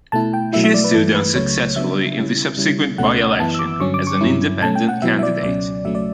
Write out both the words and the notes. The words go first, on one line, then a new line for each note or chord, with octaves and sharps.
She stood unsuccessfully in the subsequent by-election as an "Independent" candidate.
B2 A3 E4 A5
G5
B2 F#3 A3 E4 E5
E5
D5
B4
G2 E3 A3 A4
B4
C#2 C#3 F#3 A3 C#5
C#3 F#3 B3 D4 E5
C#3 G3 C#4 E4
C#3 G3 C#4 E4
C#2 B2 A3 C#4 F#5
F#2 E3 B3 E4 A5
E6
D6
G2 D3 F#3 C#4 C#6
D6
C#6
G2 F#3 C#4 E4
B2 A3 C#4 A5
G5
F#5
B2 F#3 B3 E4 E5
E5
D5
C#2 B2 F#3 C#4 D5
C#2 B2 F#3 A3 C#4 E5
D5